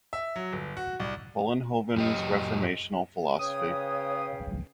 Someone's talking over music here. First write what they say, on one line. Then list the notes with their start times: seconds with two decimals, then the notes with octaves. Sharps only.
Vollenhoven's Reformational philosophy.
0.13 E5
0.36 F#3
0.53 G1
0.77 F#4
1.00 C2
1.97 F#2 G4 D#5
3.39 C#3 B4 C#5 F5 G5 D#6